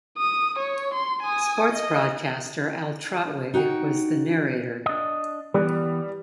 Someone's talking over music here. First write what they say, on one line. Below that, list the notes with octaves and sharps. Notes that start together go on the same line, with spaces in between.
Sports broadcaster Al Trautwig was the narrator.
D#6
C#5
C6
G#5 D#6
D#5
D#4 F#4 G5
D4 D#5
E3 G3 B3